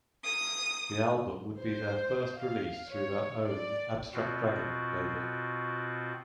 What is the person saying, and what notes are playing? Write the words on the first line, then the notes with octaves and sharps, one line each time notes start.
The album would be their first release through their own "Abstract Dragon" label.
D#6
C5
F5
C#5
D5
B2 C4 F4 F#4